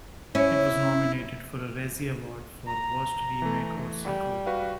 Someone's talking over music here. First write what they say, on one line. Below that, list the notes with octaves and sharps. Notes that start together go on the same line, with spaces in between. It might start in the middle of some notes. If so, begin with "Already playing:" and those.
It was nominated for a Razzie Award for Worst Remake or Sequel.
C#4 E4
A#5
E3 A3
G3
F#4 B4 F5